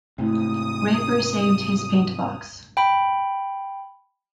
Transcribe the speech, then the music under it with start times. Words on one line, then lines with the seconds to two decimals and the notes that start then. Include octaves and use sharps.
Raper saved his paint box.
0.18 G#2 C3 A3 E4 D#6
2.77 G5 B5